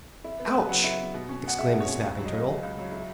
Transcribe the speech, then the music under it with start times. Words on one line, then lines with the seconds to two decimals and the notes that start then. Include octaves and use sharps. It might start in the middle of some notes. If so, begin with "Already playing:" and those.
"Ouch!" exclaimed the Snapping Turtle.
0.24 E4
0.40 B3
0.47 B4
0.55 C#3
0.69 F#3 F#5
0.84 E4
0.99 B3
1.14 B2
1.29 C#4
1.44 B2 F#5
1.58 G#3 E5
1.73 B2
1.80 C#5
1.88 C#4
2.03 C#2
2.18 F#3
2.25 D#5
2.32 C#2
2.48 C#3
2.63 C#2
2.78 F#3
2.92 E4